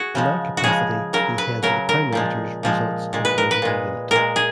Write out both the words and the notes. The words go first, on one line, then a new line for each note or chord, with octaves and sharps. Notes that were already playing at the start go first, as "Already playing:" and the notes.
In that capacity, he heads the Prime Minister's Results and Delivery Unit.
Already playing: F#4 G#4
C#3 F3 G#3
F#4
C#3 F3 G#3 G#4
C#3 F#3 A#4
B4
C#3 F#3 A#4
A#4
A#2 F3 G#3
A#2 F3 G#3
A#2 G#3
B4
A#4
B4
A#2 G#3
A#2 G#3 A#4
G#4